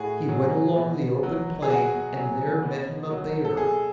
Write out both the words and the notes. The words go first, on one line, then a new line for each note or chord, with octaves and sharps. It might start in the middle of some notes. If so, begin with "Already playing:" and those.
He went along the open plain, and there met him a bear.
Already playing: A2 F#4 G#4
F#3
B2
F#3
G#4
B2 F#4
F#3
B2
F#3
A4
B2 G#4